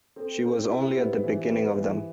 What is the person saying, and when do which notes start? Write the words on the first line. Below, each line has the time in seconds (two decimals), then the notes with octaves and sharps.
She was only at the beginning of them.
0.16 C4 A4
0.43 C4 A4
0.69 E4 G4
0.97 B3 C5
1.23 E3
1.51 B3
1.77 E3